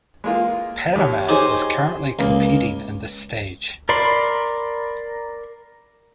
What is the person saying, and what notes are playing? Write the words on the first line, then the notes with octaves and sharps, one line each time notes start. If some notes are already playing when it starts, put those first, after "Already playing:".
Panama is currently competing in this stage.
G#3 A#3 F4
D#2 C#5
D#4 G4 G#4 C5 C#5 G#5
C#2 A#3
A#4 D5 B5 C6